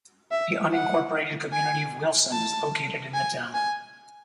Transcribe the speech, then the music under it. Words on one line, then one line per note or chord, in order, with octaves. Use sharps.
The unincorporated community of Wilson is located in the town.
E5
F#5
G#5
A5
G#5
G#5